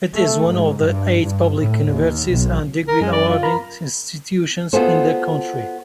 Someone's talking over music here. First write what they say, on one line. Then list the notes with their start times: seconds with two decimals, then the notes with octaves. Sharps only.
It is one of the eight public universities and degree-awarding institutions in the country.
0.13 A3
0.49 G#2
0.81 G2
1.22 G2
1.57 A2
1.90 D#2
2.29 B1
2.88 A#4
3.01 F#2 G#3
3.12 D5
3.28 F4
3.43 A#4 A#5 B5
4.73 B3 F4 F#4 G#4 A4 C5